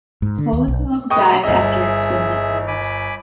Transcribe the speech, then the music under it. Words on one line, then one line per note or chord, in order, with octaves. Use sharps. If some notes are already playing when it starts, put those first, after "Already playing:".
Kulikov died after extended illness.
G#2
D3
D#2
B1
G#4 B4 D#5 G5 C#6 D#6
G1 G#4 D#5 E5
G#5 B5 D6